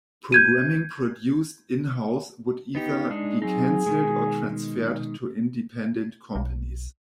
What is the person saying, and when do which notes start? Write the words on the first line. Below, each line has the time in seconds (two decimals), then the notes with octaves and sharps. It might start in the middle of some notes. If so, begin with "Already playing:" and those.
Programming produced in-house would either be cancelled or transferred to independent companies.
0.32 G6 G#6 D#7
2.75 B3 D#4 G4
3.10 G#3 D4 D#4
3.42 F#3 C4 D#4 G#4
3.86 B2 D#3 G#3
6.35 B1